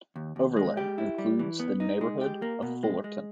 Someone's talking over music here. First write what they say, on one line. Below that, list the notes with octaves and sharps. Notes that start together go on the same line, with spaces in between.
Overlea includes the neighborhood of Fullerton.
D#2
D#2
G#3
G4
E4
G3
E3
B3
D#4
G#3
G4
A#3
B2
G#3
G#3